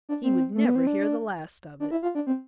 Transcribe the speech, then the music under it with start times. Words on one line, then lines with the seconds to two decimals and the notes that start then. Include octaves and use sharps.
He would never hear the last of it.
0.09 D4
0.24 C4
0.55 A3
0.65 B3
0.76 C4
0.87 D4
1.80 D4
1.91 E4
2.03 F4
2.15 D4
2.27 C4